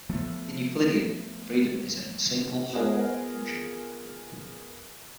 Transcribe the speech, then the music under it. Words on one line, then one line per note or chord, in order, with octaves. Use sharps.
In Euclidean, the freedom is in a single holomorphic function.
F3 A3 B3
B3 F4 G#4 A#4